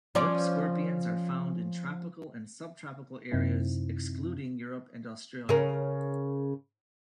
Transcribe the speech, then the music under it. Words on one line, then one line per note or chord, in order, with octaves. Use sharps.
Whip scorpions are found in tropical and subtropical areas excluding Europe and Australia.
F3 C#4 D5
F#2 C3 C4 D#4 E4
C#3 A#4